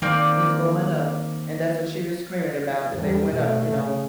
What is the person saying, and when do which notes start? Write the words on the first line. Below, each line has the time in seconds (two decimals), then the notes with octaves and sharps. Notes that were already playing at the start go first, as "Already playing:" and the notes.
It's going up and that's what she was screaming about that they went up, you know,
0.02 D#3 A#3 C4 D5
2.92 E2 G3
3.31 B2 A3
3.73 C#3